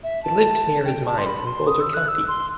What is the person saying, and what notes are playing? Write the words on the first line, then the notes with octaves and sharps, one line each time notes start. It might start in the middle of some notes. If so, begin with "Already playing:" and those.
He lived near his mines in Boulder County.
E5
A5
G5
A5
C6
B5
C6
D#6
E6
F#6
E6
C6